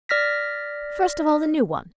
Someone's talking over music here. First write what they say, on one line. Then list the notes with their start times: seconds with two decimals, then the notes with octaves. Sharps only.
"First of all, the new one."
0.09 D5 F6 A#6 B6